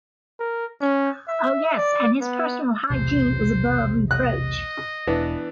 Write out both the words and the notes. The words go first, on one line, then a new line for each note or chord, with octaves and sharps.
Oh yes, and his personal hygiene is above reproach.
A#4
C#4
E5
D5
B3
B1 E2 A2 C3 C5
D#5 F#6
E1 E3 B3 D4